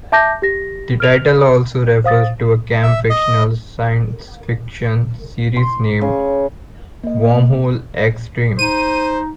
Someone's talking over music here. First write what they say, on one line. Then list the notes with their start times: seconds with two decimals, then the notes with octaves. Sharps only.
The title also refers to a camp fictional science fiction series named Wormhole X-Treme!
0.12 E5 A5 D6 G6 A#6
0.42 G4 A#6
1.00 F6 D7 F7
2.04 C5 F5 D#6 A6
2.83 E5
3.10 D#5
5.56 C6
6.01 C#3
7.03 A#3 D#5
8.59 D#4 C5 D#7